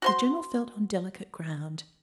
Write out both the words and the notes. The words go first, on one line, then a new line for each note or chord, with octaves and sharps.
The General felt on delicate ground.
F#4 C5 C6